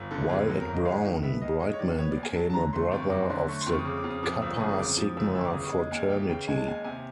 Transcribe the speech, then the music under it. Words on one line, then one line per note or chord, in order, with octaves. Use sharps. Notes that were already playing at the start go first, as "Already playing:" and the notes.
While at Brown, Brightman became a brother of the Kappa Sigma Fraternity.
Already playing: G1
D3 A4
F2 G#4
F#3 A4
A#4
G1
D#5
G#3 F5
D#3
B3 E5
D#2 D#5
G#3 D#5
C#5
D#3 D5
B3 C#5
D5
D#2
G#5
F#3 A5
A5
D3 A#5
A3 C6
C6
F2
C#6
F#3 D6
D3 C6
A3 C#6
C6
F2
C#6
D#6
C#3 D6
D6
F2
D#6
F3 D6
D#6
G1 E6
C#3 D#6
F2 D6
F3 D#6
G1 E6
E3 E6
D6
C#3 D#6
C#6
G#3
D#2 G#5
E3 G5
C#3 G5
G#3 G#5
A5
D#2 G#5
C3 G#5